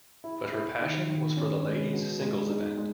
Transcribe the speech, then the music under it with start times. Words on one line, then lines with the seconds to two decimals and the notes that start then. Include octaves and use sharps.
But her passion was for the ladies singles event.
0.24 E4
0.52 E4
0.81 D#3
1.09 D#3
1.37 C#4
1.64 G#3
1.93 B2
2.21 G#3
2.49 D#4
2.78 G#3